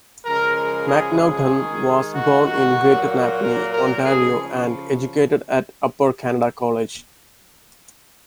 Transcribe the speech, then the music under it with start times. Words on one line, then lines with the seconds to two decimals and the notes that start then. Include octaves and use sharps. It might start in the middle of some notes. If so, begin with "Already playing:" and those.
Macnaughton was born in Greater Napanee, Ontario, and educated at Upper Canada College.
0.25 C#3 F3 G#3 A#4
0.56 A#4
0.88 G#4
1.20 G#4
1.52 D#3 G#3
2.15 F#4
2.46 F#4
2.78 A#2 F#3 A#3
3.10 F#4
3.42 A#4
3.73 A#4
4.05 C#3 F3 G#4